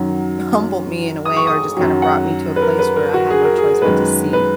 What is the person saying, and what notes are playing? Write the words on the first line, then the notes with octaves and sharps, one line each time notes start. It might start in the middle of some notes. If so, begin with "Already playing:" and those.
m humbled me in a way or just kinda brought me to a place where I had no choice but to see
Already playing: F#2 D#3 F#3
D#6
C#6
D#6
F#2 D#3 F#3
F#5
B4
A#4
B4
A#4
F#4
G#4
A#4
G#4
F#2 D#3 G#3 B4
B4